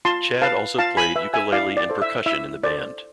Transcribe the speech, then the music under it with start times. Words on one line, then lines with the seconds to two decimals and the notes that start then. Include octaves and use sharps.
Chad also played ukulele and percussion in the band.
0.05 F4 A5 C6
0.42 B4 F5 A5
0.78 F4 F5 A5
0.97 G#5 B5
1.16 B4 E5
1.34 E5 G#5
1.52 E4 D5 F5
1.77 D5
1.90 A4 C5
2.02 E5
2.26 E4 E5
2.63 A4 C5 D5